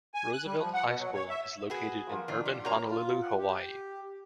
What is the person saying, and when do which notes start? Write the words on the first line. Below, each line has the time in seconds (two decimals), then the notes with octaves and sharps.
Roosevelt High School is located in urban Honolulu, Hawaii.
0.14 G#5
0.33 F#6
0.46 G3
0.58 F3
0.74 F#5
0.86 B2
0.99 F#3
1.14 C#5
1.29 E5
1.70 B3 F#4 G#4
2.07 F3 A#3 F4
2.28 D#3 D4 D#4 F4
2.45 G3
2.65 A#2 F#3 D4 A#4 A#5
2.89 F4
3.22 F#5
3.38 G4